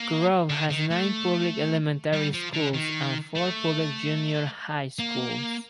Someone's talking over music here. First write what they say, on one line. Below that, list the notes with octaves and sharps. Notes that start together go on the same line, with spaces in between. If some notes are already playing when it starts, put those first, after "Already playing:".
Kurobe has nine public elementary schools and four public junior high schools.
Already playing: A#3
D3
D#3
A3
G3
F3
D3
D#3
A3
A#3